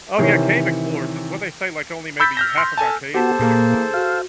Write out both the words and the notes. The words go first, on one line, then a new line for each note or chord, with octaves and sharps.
Oh, yeah, cave explorers! Who what'd they say, like, only maybe half of our caves have been explored?
C3 D#3 E3 C#5
B5 E6 G6 A6 B6
F6 G6 A#6
C6 F6
A4 G#5 A5
B3 F#4 G4 A4 C5 A5
A#2 A#3 G#4
F#4 F5